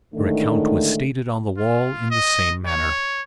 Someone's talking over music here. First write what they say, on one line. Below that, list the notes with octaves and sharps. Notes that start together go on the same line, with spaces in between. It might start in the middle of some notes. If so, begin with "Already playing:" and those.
Her account was stated on the wall in the same manner.
A2 D3 D#3 G#3 A3
F4
D#5
C#5